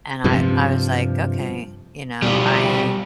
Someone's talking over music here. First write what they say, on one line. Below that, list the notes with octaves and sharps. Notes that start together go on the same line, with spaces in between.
And I I was, like, "Okay, you know, I"
G2 C3 F3
B2 G3